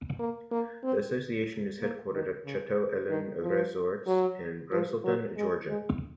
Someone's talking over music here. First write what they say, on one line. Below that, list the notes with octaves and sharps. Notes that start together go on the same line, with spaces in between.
The Association is headquartered at Chateau Elan Resort in Braselton, Georgia.
A#3
A#3
C4
A#3
D#3
C#3
D#3
F3
F#3
F3
F#3
G#3
G#3